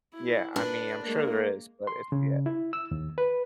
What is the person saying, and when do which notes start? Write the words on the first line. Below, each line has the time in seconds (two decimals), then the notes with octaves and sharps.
Yeah, I mean, I'm sure there is, but it's Yeah.
0.14 E4
0.56 D4 B4
1.06 G#3 A#3
1.87 C6
2.12 C#3
2.46 E4
2.73 E6
2.91 D#2
3.18 B4